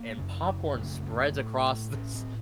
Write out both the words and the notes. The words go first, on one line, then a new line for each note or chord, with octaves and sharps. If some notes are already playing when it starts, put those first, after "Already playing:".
and popcorn spreads across this
Already playing: A#3
F#2 C#3
F#2 C#3 A3
A3
A2
A2 C#4
C4